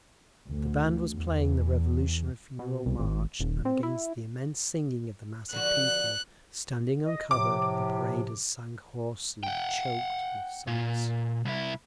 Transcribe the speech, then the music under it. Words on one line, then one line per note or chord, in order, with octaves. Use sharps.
The band was playing the Revolutionary Funeral March, and against the immense singing of the mass of people, standing uncovered, the paraders sang hoarsely, choked with sobs....
D2
E2
B2
C2
G#1
D#1
C4
E4
D3 F3 F#4 F#6
D#5
A2 C3 F3 D6
F#5 G5
A#2
C2 E4